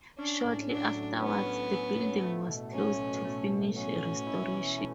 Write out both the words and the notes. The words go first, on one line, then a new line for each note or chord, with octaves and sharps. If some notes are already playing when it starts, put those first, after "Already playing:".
Shortly afterwards, the building was closed to finish the restoration.
C#4 D4
A2
F#3 D4
A2
B3 C#4
A2
F#3
A2
A3
B2
F#3 C#4
B2
A3
B2
F#3 C#4
B2
E4
E3
A3